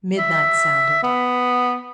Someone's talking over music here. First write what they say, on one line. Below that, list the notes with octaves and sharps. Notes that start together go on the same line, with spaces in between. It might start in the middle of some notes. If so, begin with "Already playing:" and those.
Midnight sounded.
E5
B3